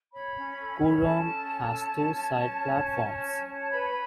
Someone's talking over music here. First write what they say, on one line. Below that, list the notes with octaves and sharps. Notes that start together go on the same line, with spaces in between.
Kooyong has two side platforms.
C#5 B5
C#4
A4
C#4
A4 A5
C#4
A4
C#4
C#4
C#4
C#4
C#5
C#4
C#4
C#5
C#5
A5
B4 B5